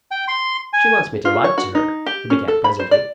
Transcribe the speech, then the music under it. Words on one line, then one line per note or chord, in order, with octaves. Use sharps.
"She wants me to write to her," he began, presently.
G5
C6
G#5
F4
C#5
F#4
D#4
G4
C#4
A4
B5
C5
D5